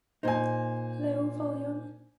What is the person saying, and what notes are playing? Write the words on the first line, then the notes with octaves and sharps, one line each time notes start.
Low volume.
A#2 D#4 C5 G#5